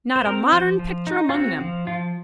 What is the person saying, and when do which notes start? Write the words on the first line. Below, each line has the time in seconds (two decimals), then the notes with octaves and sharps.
Not a modern picture among them.
0.16 C5
0.26 C4 A#4
0.52 F3 C5
0.79 F3
1.07 D#4
1.29 F4
1.34 C4 F#4
1.60 F3
1.87 F3 F4